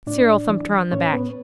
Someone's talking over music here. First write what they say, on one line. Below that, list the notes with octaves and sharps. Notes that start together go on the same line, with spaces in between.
Cyril thumped her on the back.
A2 D4 D5
E3
A2 C#4 C#5
B3 B4